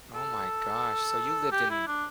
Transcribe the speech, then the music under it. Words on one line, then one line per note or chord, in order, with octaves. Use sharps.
Oh my gosh. So you lived in m
A4
G4
E4
D4